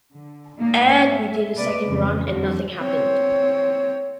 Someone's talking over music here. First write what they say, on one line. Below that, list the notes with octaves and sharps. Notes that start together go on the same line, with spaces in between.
And we did a second run and nothing happened.
D3
G#2 A#3 D#4 D5
E5
C3 A#3 B4 D5
F2 G#2 C#3 E3
F2 D3 G3 F#4
C4 C#5